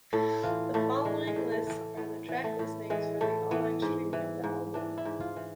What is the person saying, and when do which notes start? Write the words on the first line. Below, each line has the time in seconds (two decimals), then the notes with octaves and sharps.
The following lists are the track listings for the online streaming of the album.
0.13 A2 A4
0.43 E3 F4
0.74 A2 A3
1.05 E3 G#3
1.27 G#3
1.36 A2
1.52 A3
1.67 E3
1.97 A2 B3
2.29 E3
2.44 A3
2.59 A2
2.90 E3 G#3
3.21 A2 A3
3.51 E3 B3
3.82 G#2
4.13 E3
4.44 G#2
4.74 E3 D4
4.98 E4
5.05 G#2
5.20 F4
5.36 E3